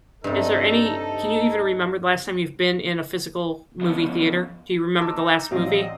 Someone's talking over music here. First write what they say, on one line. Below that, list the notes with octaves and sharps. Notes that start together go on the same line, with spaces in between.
Is there any can you even remember the last time you've been in a physical movie theater? Do you remember the last movie?
G2 C3 D#4 A4
F3 B3 C#4
D#4 A5 D6 E6
A1 C3 F#3 C4 D5 D#5 F5